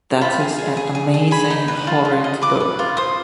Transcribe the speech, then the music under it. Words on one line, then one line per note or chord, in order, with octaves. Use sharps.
That is an amazing horrid book.
F4 B5
G#4
G#4
G#4
G#4
G#4
G#4 B5
D#4
B4
F4
F4
D#5
B4 D6
B4
F4
C5 D#6